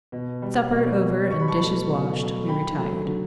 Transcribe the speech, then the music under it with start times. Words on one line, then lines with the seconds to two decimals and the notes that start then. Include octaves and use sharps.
Supper over and dishes washed, we retired.
0.12 B2
0.42 G3
0.72 B2
1.01 G3
1.30 B2 C#6
1.40 B5
1.48 A5 C#6
1.60 F#3 A3
1.89 B2
2.19 F#3 A3
2.48 D3 G5 B5
2.78 F#3 A3
3.07 D3